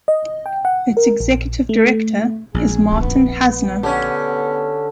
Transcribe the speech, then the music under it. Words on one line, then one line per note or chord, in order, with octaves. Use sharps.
Its executive director is Martin Hassner.
D#5
G5
F#5
A#4
A#1
A3
A#1 G#4
B3
D3 C#4 G4